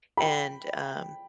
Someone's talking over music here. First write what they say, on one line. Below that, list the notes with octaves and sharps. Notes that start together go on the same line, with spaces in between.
and, um,
G5 B5